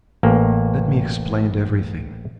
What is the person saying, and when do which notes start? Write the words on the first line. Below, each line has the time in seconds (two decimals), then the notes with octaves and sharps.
Let me explain everything.
0.23 A1 A#3